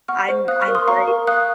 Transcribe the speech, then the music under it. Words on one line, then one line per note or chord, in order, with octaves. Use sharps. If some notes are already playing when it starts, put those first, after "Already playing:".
I'm I'm very
F#5 C#6 F6
C5
F5 D#6 F#6
C#6 F6
A#4
C6 D#6
F5 A#5 C#6
A#4
F5 D#6 F#6